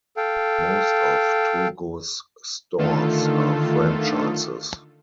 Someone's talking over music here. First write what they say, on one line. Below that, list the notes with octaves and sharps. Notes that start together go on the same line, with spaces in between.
Most of Togo's stores are franchises.
A4 F5 G5
D3 D#3 A3 F4 A4